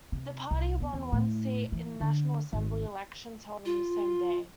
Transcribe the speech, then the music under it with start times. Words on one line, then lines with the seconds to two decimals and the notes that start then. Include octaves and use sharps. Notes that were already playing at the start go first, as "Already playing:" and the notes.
The party won one seat in National Assembly elections held on the same day.
0.12 C3
0.51 C2
0.80 B2
0.93 E2
1.12 A2
1.72 E3
2.00 D3
2.53 G#1
3.65 F4